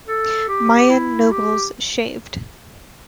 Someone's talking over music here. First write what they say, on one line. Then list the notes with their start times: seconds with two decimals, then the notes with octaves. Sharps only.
Mayan nobles shaved.
0.07 A4
0.48 G4
0.90 E4
1.32 G4